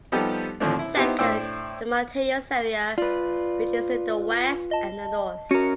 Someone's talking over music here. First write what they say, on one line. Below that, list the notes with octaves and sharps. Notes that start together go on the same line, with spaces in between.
Second, the mountainous area which is in the west and the north.
F3 G3 B3 D#4 G4 A4
D#2 A2 D3 F3 C4 D4
E4
B3 D#4 E4 G4 C5
A2 D4 C5 G5 E6
F4 B4 D5
D#5 A5
C#4 F#4 A#4 C#7